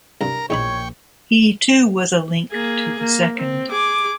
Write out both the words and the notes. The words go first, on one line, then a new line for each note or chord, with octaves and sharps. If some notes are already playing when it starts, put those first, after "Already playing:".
He too was a link to the second.
C2 G2 A#4 A#5
A#1 E2 D#4 C#5 G5 B5 C#6
A#3 G#4
A#3
C4
G#4 D6